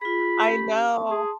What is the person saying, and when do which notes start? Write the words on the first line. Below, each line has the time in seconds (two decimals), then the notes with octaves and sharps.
I know.
0.01 F4 G#4 B5
0.47 C#4 G4
0.92 A5 C6 D#6
1.11 G#4